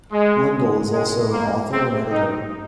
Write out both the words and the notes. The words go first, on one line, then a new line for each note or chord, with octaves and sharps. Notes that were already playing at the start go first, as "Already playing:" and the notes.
Lindall is also an author and editor.
G#3
G#3
A#3
C4
D#4